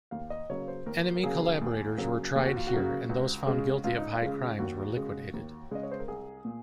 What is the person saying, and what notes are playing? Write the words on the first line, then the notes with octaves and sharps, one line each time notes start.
Enemy collaborators were tried here and those found guilty of high crimes were liquidated.
D#2 F5
D#5
C#3 F#3 A#3 C#5
C5
D#2 A#4
A#4
C#3 F#3 A#3 G#4
D#2
C#3 F#3 A#3
D#2 G#4
F#4
F4
F#4
C#3 F#3 A#3
C#2
C#3 G#3
C#2 F4
D#4
F4
C#3 G#3
D#2 F#4
C#3 G#3
D#2
C#3 G#3 D#5
C#5
C5
A#4
C2 G#4
A#2